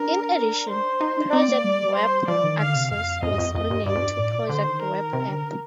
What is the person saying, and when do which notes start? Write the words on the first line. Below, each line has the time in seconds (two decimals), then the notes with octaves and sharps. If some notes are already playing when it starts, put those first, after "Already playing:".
In addition, "Project Web Access" was renamed to "Project Web App".
Already playing: D4 A#4
0.38 A#4
0.69 C5
1.01 D#4
1.17 D4
1.32 C4 D5
1.48 A#3
1.64 G3
1.95 C5
2.28 F3 D5
2.44 D#3
2.59 D3 F5
2.75 C3
2.91 F2 F5
3.23 F2 D#5
3.31 G2
3.38 F2
3.54 F2 D#5
3.70 G2
3.86 G2 D5
3.95 F2
4.02 G2
4.18 A2
4.33 A#2
4.49 D3 C5
4.66 D#3
4.82 A#4
5.13 C3
5.28 D3